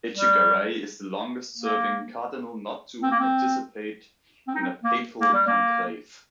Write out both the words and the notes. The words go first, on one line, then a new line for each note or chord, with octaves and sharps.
Etchegaray is the longest-serving cardinal not to participate in a papal conclave.
G3
A#3
C4
A#3
C4
C4
D#4
C4
A#3
A#3
G3
A#3